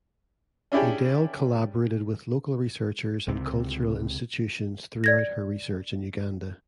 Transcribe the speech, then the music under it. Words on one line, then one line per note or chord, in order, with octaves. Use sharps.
Edel collaborated with local researchers and cultural institutions throughout her research in Uganda.
C#4 D4 E4 G4 G#4
C#2 C3 C4
D5 G#6 A#6